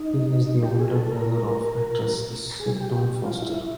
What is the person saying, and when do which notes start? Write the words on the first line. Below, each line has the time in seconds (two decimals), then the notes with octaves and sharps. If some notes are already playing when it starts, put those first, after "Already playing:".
He is the older brother of actress Sutton Foster.
Already playing: D#4
0.63 G4
0.79 G#4
0.96 A4
1.12 A#4
2.60 G#4
2.77 G4
2.92 G4
3.25 F4
3.42 E4